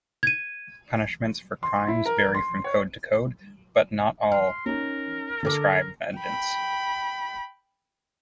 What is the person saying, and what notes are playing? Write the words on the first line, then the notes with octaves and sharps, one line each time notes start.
Punishments for crimes vary from code to code, but not all prescribe vengeance.
G#6 D#7
C6
E4
A#4
C6
C#5
C6 F6
C#4 D#4 A#4
D3 A4 D6
G5 B5